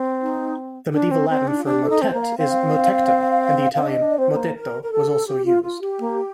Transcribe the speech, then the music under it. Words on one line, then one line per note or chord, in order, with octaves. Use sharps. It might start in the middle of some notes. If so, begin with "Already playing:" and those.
The Medieval Latin for "motet" is "motectum", and the Italian "mottetto" was also used.
Already playing: C4
D#4
D4
C4
C4
D4 D#4
F4
D4 G4
A4
D#4
C4 C5
A#3
F5
C4 F5
C4 F5
D4 D#5
D4
D5
C4 C5
C4
A#3
A#4
A#4
A4
G4
F4
F4
G4
A#3